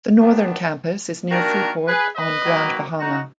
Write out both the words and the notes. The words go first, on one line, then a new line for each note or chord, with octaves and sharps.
The Northern Campus is near Freeport on Grand Bahama.
D#3 F#3 B3 D4
D#3 A#3 D4 F#4 A#4
G#4 B4
B4 D#5
D#3 F#3 A#3
D#4 F#4